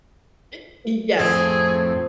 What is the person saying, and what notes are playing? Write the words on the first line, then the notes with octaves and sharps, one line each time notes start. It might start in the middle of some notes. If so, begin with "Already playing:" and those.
Eh y yes.
F2 A2 C4 G#4